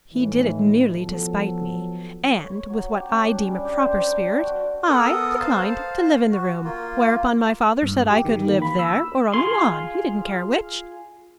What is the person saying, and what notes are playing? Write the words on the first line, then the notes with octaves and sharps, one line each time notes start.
He did it merely to spite me, and, with what I deem a proper spirit, I declined to live in the room; whereupon my father said I could live there or on the lawn, he didn't care which.
A2 D#3 E3
F3 F#3 B3 A4
C#5
C#5
F#3
G4
C#4
D4
G3
G4
C5
A#4
D4
F#4
B3 A4 A#4 D#6
C5 F5 A5
F#4
A#3 F4
G2
G4
D#3
A#3
B5
E6
F4 G#4 C6